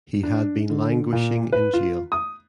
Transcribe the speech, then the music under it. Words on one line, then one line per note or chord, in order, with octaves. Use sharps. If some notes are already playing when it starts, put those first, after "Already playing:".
He had been languishing in jail.
D4
D3
A#2
B4
F4
D#6